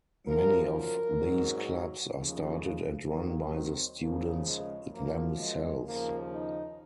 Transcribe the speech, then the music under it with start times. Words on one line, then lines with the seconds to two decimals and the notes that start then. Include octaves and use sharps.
Many of these clubs are started and run by the students themselves.
0.26 F#2 F3 A#4
0.73 A#4
1.20 G#2 F#3
2.13 D#2 C#3 F3
3.06 D#2 D#3 F#3 A#3
3.53 C4
3.99 D#2 C#3 F3 A#3
4.46 G#3
4.92 F#2 F3 A#3
5.39 G#3
5.85 D#2 C#3 F3 A#3
6.32 D#4